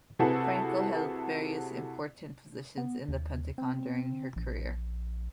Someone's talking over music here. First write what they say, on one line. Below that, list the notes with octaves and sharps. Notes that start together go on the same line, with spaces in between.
Franco held various important positions in The Pentagon during her career.
C3 E4 F#4 G#4 A4 B4
B3
D#2
C4
A#1